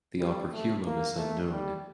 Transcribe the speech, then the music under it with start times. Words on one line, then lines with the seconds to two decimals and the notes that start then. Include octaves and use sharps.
The operculum is unknown.
0.20 G3
0.52 A3
0.86 A#3
1.17 A3
1.51 G3